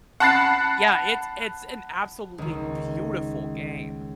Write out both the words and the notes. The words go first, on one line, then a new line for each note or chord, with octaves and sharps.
Yeah, it's it's an absolutely beautiful game.
F#5 A5 B5 F#6 A6 C7
C#2 D#3